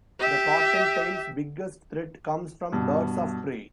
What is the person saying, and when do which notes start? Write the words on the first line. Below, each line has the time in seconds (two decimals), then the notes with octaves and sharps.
The cottontail's biggest threat comes from birds of prey.
0.20 G4 E5
2.72 G2 B2